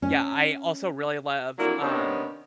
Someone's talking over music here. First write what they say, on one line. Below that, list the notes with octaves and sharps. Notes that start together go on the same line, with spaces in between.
Yeah, I also really love, um,
C#4
F2 F#3 A#3 D4 E4
C3 D#3 B3 C#4 D4